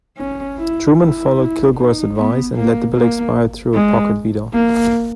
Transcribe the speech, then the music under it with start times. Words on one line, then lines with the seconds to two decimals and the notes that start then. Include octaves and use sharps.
Truman followed Kilgore's advice and let the bill expire through a pocket veto.
0.17 C#4
0.58 E4
0.97 E4
1.37 E4
1.76 D#4
2.17 B3
2.56 A#3
2.96 A#3
3.74 G#3
4.54 A#3